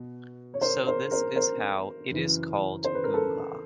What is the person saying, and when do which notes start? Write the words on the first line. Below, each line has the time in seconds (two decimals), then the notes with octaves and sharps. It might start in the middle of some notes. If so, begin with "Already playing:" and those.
So this is how it is called Gumla.
Already playing: B2
0.54 C#5
0.61 A#4 C5
0.87 A#4 C5
1.11 A#4 C5
1.36 A#4 C5
2.10 F#2 C#3 E3
2.84 C5
2.95 B4
3.04 A#4
3.14 A4 B4